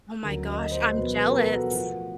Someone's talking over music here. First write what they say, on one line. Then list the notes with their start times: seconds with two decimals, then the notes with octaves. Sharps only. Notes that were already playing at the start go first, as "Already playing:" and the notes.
Oh my gosh, I'm jealous.
0.22 D2 C#3 F#3 A#4
0.47 D#5
0.71 C5
0.96 E2 B2 F#3 B4
1.15 B4
1.25 A4
1.33 A#4
1.52 F#4
1.71 A2 F3